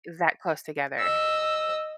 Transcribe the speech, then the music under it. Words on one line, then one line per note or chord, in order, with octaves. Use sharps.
that close together.
D#5 E6